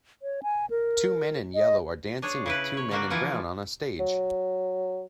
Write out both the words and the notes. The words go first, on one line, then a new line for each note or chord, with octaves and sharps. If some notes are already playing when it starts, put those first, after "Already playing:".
Two men in yellow are dancing with two men in brown on a stage.
C#5
G#5
A#4
D#5
D4 G#4 C#5
C#3 E4 B4
C#5
D3 G3 A#3 F#4
E3 F3 E4 F4
F#3